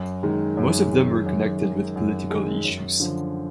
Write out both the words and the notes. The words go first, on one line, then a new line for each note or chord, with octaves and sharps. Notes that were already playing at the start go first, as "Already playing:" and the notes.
Most of them were connected with political issues.
Already playing: F#2
D#3 G#3
F#2
D#3 G#3
F#2
D#3 G#3
F#2
D#3 G#3
F#2
D3 F3